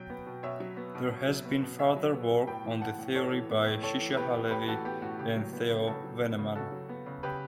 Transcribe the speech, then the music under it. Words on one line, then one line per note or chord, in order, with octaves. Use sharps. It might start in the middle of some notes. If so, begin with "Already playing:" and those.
There has been further work on the theory by Shisha-Halevy and Theo Vennemann.
Already playing: B2 F#3 G5
B3
B2
B2 C#5 E5
F#3
B3
B2
B2
F#3
B3
B2
B2 C#5 E5
F#3
B3
B2
A2 G5 B5
E3
B3 F#5 A5
A2
A2 A4 C#5
E3
B3
A2
A2 A4 C#5
E3
B3 G4 B4
A2
A2 G4 B4
E3 F#4 A4
B3 G4
A2 F#4
C#3 G4
F#3
B3
C#3
C#3 F#4 A4
F#3
B3
C#3
C#3 F#4 A4
F#3
B3
C#3
C#3 G4 B4